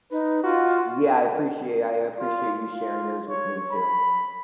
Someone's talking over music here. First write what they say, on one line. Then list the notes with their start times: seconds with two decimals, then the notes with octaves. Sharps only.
Yeah, I appreciate I appreciate you sharing yours with me too.
0.11 D#4 B4
0.43 F4 F#4
2.19 F4
2.71 F4
3.28 C#5
3.71 B5